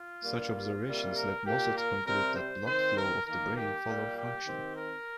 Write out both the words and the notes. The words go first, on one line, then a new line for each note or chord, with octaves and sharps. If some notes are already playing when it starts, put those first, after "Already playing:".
Such observations led Mosso to conclude that blood flow of the brain followed function.
Already playing: F4
G2 G3 A#3
F4
C3 G3 A#3
A#4
A#2 A#3 G4
A#4
C3 G3 C4 A#4
C5
D#3 C4 C5
A#4
D#3 A#3 A#4
G4
A#2 G3 A#3
G4
D#3 C4
A#4